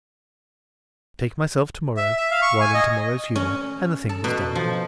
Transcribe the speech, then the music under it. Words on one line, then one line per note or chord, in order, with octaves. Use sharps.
Take myself to-morrow while in to-morrow's humour, and the thing was done.
E5
E5
F5
C#6
G#5
D#5
C#4
A4
B2
F3